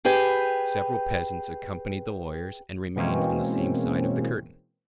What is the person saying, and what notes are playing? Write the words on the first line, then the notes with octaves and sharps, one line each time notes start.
Several peasants accompanied the lawyers and remained on the same side of the curtain.
G4 G#4 B4 G5
B2 E3 G#3 A#3 C4 C#4